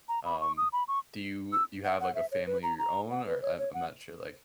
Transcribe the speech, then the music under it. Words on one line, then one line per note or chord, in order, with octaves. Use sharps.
Um, do you you have, like, a family of your own, or I'm I'm not sure. Like
A#5
B5
C#6
D#6
B5
C#6
E6
F#5
F#5
E5
C#5
B4
A#5
A#5
F#5
B4
C#5
C#5
F#5